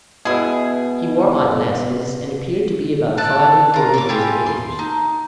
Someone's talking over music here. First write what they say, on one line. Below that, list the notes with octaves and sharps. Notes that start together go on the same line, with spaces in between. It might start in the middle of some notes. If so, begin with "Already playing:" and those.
He wore eye-glasses and appeared to be about five and forty years of age.
B2 E4 G#4
A4 D5 F#6
F4 A#4
C#5 D6
E4 F4 G4 G#4
C6
D#4